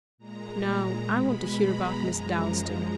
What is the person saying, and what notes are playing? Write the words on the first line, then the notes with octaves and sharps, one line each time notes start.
Now I want to hear about Miss Dalstan.
A#2 G#3 A#5
B2 G#3 B5
A#5
F#2 F3 G#3 A#5